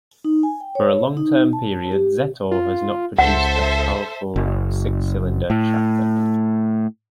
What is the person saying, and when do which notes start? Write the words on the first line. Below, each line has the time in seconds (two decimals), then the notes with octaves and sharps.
For a long-term period, Zetor has not produced a powerful six-cylinder tractor.
0.24 D#4
0.43 G#5
0.61 G5
0.75 C#5
1.17 D#4
1.53 A5
1.92 G4
2.51 F4
3.18 C#2 A4 C5 E5 F#5
4.36 F#1
5.50 A2